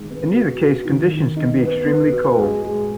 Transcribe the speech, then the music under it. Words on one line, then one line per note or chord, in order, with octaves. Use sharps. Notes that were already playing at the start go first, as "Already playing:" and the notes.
In either case conditions can be extremely cold.
Already playing: D#3 G#3
B3
F#4
F#4
D#3
D#3
D#4
B3
B3
F#4
G#3
G#3